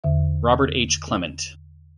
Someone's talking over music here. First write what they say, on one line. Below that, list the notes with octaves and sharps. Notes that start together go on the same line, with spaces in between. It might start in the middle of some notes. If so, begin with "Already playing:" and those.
Robert H. Clement.
E2 D3 E5